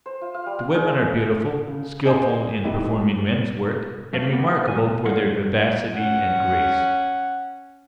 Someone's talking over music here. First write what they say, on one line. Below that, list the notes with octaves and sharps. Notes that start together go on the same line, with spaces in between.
The women are beautiful, skilful in performing men's work, and remarkable for their vivacity and grace.
C5
F4
F5
G3
F5
G#4
C#3
G#4 C5 D#5 G#5
B3 D#4 E4 G4
F#2 A3 F5
G3 A#3 B3 C#4
F#3 G#5
B2
G3 A#4 C#5 F5 F#5
G3
C#4 F#5